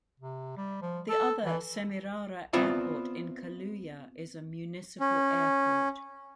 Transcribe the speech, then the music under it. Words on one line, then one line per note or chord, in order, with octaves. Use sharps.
The other, "Semirara Airport" in Caluya is a municipal airport.
C3
G3
F3
A4
E3
B3 C4 F4 D5 E5
C#4